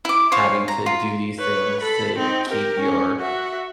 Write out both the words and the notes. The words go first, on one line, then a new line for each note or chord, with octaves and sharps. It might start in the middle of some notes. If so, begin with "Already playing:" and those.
having to do these things to keep your
E4 D6
C5 C#5 F5
A#5
F4
B4 C#5
A4 B5
C4 D#4
G4 A#4
C#4
F#4 E5